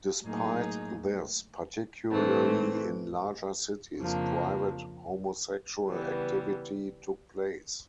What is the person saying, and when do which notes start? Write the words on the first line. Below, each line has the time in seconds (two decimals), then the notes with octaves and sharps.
Despite this, particularly in larger cities, private homosexual activity took place.
0.23 A2 F#3 A#3 D#4 G#4
2.10 A2 E3 A3 C4
3.99 F2 C#3 F3 A#3 D4
5.86 C#3 E3 G3 B3